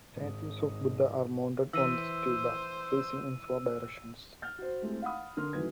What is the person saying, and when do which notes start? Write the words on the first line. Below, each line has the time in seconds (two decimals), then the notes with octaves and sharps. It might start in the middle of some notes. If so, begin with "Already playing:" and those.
Statues of Buddha are mounted on the stupa, facing in four directions.
0.13 G#1 G#2
1.73 E3 C5 E6 D#7
4.42 F6 G6 A6
4.58 F#4 C5
4.82 G#3 A3 C4 E4 G4
5.02 F5 F#5 B5 D#6
5.37 D3 A#4 C6 F6
5.53 F1 D#3 E3 F#3 B4 G#6